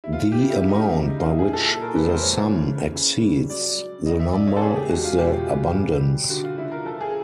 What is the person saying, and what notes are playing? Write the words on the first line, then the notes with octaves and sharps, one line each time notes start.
The amount by which the sum exceeds the number is the abundance.
E4
E3 F4
G4
C#3
E4
C#3 D#4
G3
F4
F3 E4
G#4
A#2 A4
A4
A#2 A#4
B4
G#3 C5
C#5
E3
C#3
C#3
G3
F#3 D5
F#3
C#3 D#5
E5
C#3 D5
C#5
A4
G#3 G#4
G4
G#3 F#4
F4
B2 G4
B2
G3
G3
D3 F#4
F4
D3 E4
A#4
F3 A4
G#4